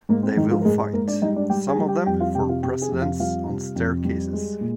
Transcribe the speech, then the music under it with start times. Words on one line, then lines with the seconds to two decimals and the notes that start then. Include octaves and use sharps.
They will fight, some of them, for precedence on staircases!
0.09 G#2 A#3
0.23 C4
0.37 G#2 D#3 D#4
0.51 F3 F4
0.61 A#4
0.65 G#2 G#3 G#4
0.79 G#3 G#4
0.93 G#2 A#3 A#4
1.08 D4 D5
1.22 G3 D#4 D#5
1.36 D4 D5
1.50 G3 G4 G5
1.69 G#4 G#5
1.78 G3
1.88 G4 G5
2.06 F2 G4 G5
2.20 F4 F5
2.35 C3 G4 G5
2.49 F4 F5
2.63 C3 G4 G5
2.82 G#4 G#5
2.92 F2
3.01 F4 F5
3.19 G3 F4 F5
3.49 C3
3.76 F2
4.05 G3
4.33 G#3
4.61 A#2